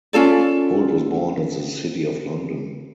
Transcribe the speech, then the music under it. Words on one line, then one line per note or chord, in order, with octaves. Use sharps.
Holt was born at the City of London.
C#4 F4 A4 D5